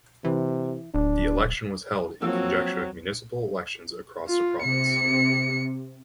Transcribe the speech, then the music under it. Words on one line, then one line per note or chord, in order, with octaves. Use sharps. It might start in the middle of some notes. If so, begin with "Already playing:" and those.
The election was held in conjunction with municipal elections across the province.
C3 E3
D1 D4
F3 F#3 A#3 C4 E6
F4
C3 C#7